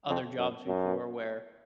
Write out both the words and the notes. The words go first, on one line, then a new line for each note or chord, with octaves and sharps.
other jobs before where
F2
F#2
F#2